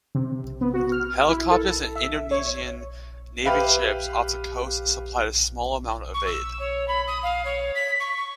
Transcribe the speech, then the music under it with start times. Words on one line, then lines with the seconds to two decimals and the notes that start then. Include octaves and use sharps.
Helicopters and Indonesian navy ships off the coast supplied a small amount of aid.
0.15 C3
0.61 B3
0.74 F#4
0.92 F6
1.29 E4
1.51 A4
1.96 E5
2.31 C#5
3.45 G4 B4 E5 F5
6.14 C#6
6.26 E6
6.59 C#5
6.88 B5
7.07 D#6
7.23 F5
7.45 C#5
7.75 B6
8.00 C#6
8.18 C#6